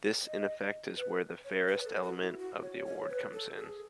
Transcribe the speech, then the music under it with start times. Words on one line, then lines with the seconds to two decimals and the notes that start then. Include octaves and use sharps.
This in effect is where the "fairest" element of the award comes in.
0.26 D#5
0.97 B4
1.44 C#5
1.68 B4
1.85 A4
2.03 F#4
2.20 E4
2.39 F#4
2.62 C#5
2.86 C#5
3.10 B4
3.33 A4
3.56 G#4